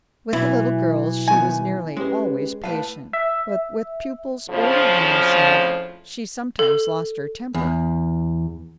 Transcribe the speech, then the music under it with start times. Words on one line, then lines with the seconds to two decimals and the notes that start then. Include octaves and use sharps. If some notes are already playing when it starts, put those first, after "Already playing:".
With the little girls she was nearly always patient, but with pupils older than herself, she sometimes lost her temper.
0.33 B2 E3 F#3 E4
1.28 B1 D#3 B3 G#5
1.97 G#3 C#4 G4 B4
2.64 A2 B4 F5 A5
3.13 E5
4.49 F2 A2 C#3 F3
6.59 A4
7.54 E2